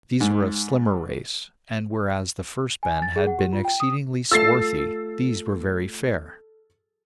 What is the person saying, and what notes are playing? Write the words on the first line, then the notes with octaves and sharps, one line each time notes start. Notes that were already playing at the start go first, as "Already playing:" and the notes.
These were a slimmer race, and whereas the first band had been exceedingly swarthy, these were very fair.
G#2
G#5
A6
G#4
F#5
G4
F4
G5
D#6
A3 F4 A4 E6 A6 C7